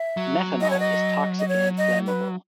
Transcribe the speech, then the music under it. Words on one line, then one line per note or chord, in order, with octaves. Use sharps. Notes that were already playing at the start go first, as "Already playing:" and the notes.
Methanol is toxic and flammable.
Already playing: E5
F#3
D#5
C#5
D#5
D#5
C#5
D#5
B4